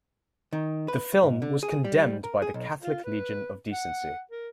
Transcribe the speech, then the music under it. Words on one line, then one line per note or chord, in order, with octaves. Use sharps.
The film was condemned by the Catholic Legion of Decency.
D#3
B4
G#2
D3
G#4
G3
A#4
G#4
B1
F4
B4
F#5
A#4